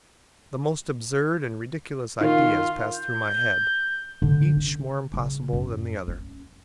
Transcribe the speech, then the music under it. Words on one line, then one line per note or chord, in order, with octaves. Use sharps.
The most absurd and ridiculous ideas passed through my head, each more impossible than the other.
D#3 F4
G6
D3
C#4
C#3
F#2
C#4